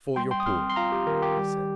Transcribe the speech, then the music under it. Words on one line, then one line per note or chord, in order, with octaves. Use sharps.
"For your poor," he said.
G3 G5 C6
G5 C6
D#6
C4 C6 F6
C6
F4 F5 A#5
G4
D#3 A#4
G4
G3